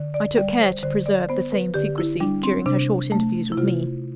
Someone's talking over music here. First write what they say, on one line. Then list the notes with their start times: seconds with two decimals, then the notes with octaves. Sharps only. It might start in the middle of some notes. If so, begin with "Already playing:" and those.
I took care to preserve the same secrecy, during her short interviews with me.
Already playing: D3
0.14 D5
0.37 G3 D5
0.60 C5
0.83 D3 C5
1.06 D5
1.29 B3 C5
1.52 B4
1.74 D3 G4
1.98 E4
2.20 G3 D4
2.44 C4
2.66 C3 D4
3.12 A3
3.52 E4
3.58 C3 F4